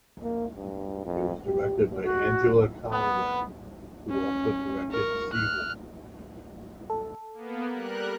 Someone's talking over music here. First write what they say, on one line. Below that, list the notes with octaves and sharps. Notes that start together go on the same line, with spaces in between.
It was directed by Angela Conway, who also directed "Siva".
A#3
G2
F2
G4
F#4
B3
C#4
A#4 C#6
F6 F#6
A4
A#3 B3
G3 A#4 F#6